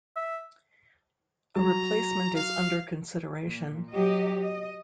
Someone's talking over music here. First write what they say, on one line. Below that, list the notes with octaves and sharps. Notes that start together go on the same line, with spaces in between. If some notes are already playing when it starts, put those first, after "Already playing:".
A replacement is under consideration.
E5
F#3 A#5
F5
A#2
F#3 G4 D#5
D#5